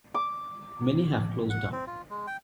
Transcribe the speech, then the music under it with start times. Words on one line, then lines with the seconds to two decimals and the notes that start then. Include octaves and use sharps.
Many have closed down.
0.14 D6
1.50 F#5
1.72 C4
1.87 F4
2.10 G#3
2.27 G5